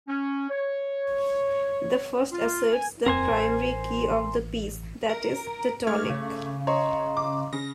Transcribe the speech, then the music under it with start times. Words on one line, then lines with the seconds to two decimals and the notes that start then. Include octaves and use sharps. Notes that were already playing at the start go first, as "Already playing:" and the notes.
The first asserts the primary key of the piece, that is, the tonic.
0.08 C#4
0.50 C#5
2.32 F4
2.73 G#5
3.06 D#1 F2 C4 A#4 C5 G#5
3.30 A1
5.09 A#4
5.87 A3 D6 F6 G#6
6.10 C#3
6.67 C#5 D#5 A#5 C6
7.17 D6
7.53 C#3 A#6